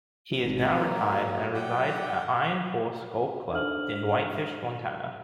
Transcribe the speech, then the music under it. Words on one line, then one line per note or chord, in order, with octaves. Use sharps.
He is now retired and resides at Iron Horse Golf Club in Whitefish, Montana.
G#1
A#3 D#4
F#3
D5 F#5 G5
D4 D#4 A4 C5 F6 F#7